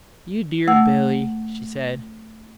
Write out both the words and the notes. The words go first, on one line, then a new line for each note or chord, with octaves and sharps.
"You dear Billy," she said.
A3 F#5 E6